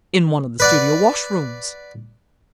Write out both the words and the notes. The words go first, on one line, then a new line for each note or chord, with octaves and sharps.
"In one of the studio washrooms."
B4 D5 F#5